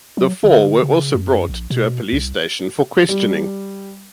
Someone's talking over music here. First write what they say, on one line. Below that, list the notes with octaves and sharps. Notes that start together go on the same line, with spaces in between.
The four were also brought to a police station for questioning.
F#3
D3
C#3
F#2
A#1
B2
C2
G3